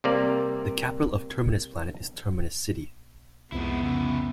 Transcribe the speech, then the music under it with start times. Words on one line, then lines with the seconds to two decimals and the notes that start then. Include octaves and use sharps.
The capital of Terminus Planet is Terminus City.
0.04 C3 G3 A#3 D5
3.52 C2 F2 G#3 B3 E4
3.83 C#3 E4